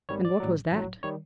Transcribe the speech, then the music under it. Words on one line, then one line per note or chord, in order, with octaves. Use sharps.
"And what was that?"
G#1 G#2 D#3 G3 C#5
D5
A1 A2 F#3
A1 A2 F#3
D#3 G3 C#5